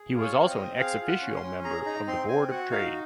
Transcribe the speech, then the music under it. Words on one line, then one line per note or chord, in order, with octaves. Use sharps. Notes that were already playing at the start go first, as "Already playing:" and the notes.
He was also an "ex officio" member of the board of trade.
Already playing: G#4
F4
C#5
C4
D#5
C4
G#4 F5
F4
F#5
C#4
C6
C#4
G#4 A#5
D#4 A#5
C4 C6
C4 G#5
F#4 F#5
D#4 F5